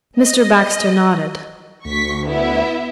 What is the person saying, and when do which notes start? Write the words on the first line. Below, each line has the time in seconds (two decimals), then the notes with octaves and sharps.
Mr. Baxter nodded.
0.19 D#5
1.85 D2 C#6 B6
2.26 B3 E4 E5